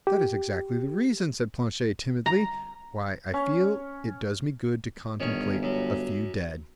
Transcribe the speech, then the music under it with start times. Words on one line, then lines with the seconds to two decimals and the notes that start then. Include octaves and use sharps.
"That is exactly the reason," said Planchet, timidly, "why I feel it does me good to contemplate a few dead."
0.07 G4
2.26 A#5
3.34 C#4
5.20 G1 D#3 C#4
5.63 F#2